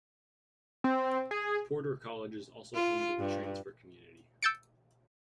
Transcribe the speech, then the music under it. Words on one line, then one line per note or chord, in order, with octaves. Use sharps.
Porter College is also home to the Transfer Community.
C4
G#4
F4
G2
E6 G6 A6 C#7 D7